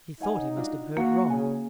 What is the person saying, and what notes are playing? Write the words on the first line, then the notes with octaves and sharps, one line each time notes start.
He thought he must have heard wrong.
D#4 C#5 F#5 G#5
D4 F4 F#4
A#3 F#4 F5
C#3 G#5